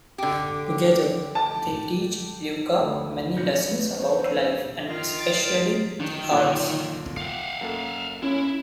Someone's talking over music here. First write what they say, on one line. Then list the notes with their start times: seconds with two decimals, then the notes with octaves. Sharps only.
Together, they teach Luca many lessons about life and especially the arts.
0.18 D3 G4
1.35 A5
2.81 D2 A4
3.37 F2 B2 G6 A#6 C#7
3.65 B4
3.98 C5
4.24 E6 C7 D#7
4.87 D#3 F4
5.19 A6 D7
6.00 D#3 D4
6.31 A#2 D3 F#3 F4 B4 C#5
7.17 F5 F#5
7.61 F#2 A#3 A4
8.23 C#4 E4